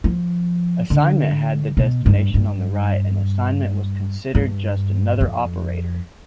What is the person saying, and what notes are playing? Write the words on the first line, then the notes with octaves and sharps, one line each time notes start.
Assignment had the destination on the right and assignment was considered just another operator.
F3
D3
B2
G2
G2
G2
F2